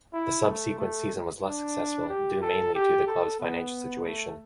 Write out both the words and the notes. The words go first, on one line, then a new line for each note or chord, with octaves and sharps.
The subsequent season was less successful, due mainly to the club's financial situation.
E4
A3
A3
D4
G4
A4
G4
A4
B3
A3